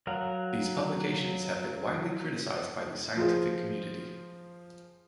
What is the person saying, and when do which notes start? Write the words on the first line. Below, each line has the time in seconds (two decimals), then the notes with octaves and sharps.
These publications have been widely criticised by the scientific community.
0.07 F#3 F#4 A#4 F5 F#5
3.17 F3 F4 G#4 C5